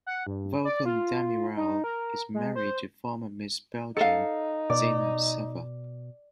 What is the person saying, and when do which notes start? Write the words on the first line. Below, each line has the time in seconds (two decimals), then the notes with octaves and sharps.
Volkan Demirel is married to former Miss Belgium Zeynep Sever.
0.06 F#5
0.27 G2
0.65 D5
0.85 F4
1.57 D#4
1.84 A#4
2.34 G#3
2.56 C5
3.97 D#4 A4 F5 C#7
4.70 B2 D5